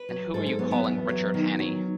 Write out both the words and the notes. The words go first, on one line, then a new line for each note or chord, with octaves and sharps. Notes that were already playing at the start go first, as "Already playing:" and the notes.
And who are you calling Richard Hannay?
Already playing: B4
F#3
G#2 A4
A4
F#3 B3
B3
E2 B3
F#3
D#3
F#3